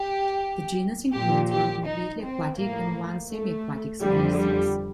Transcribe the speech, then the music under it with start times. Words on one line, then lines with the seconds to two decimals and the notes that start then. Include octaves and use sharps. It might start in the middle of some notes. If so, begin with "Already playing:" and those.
The genus includes one completely aquatic and one semiaquatic species.
Already playing: G4
1.14 A#2 F3 G4
1.50 G4
1.86 D#4
2.22 C4
2.57 A2 F3 A#3
3.29 A3
4.01 F2 D3 F3 G3
4.37 G3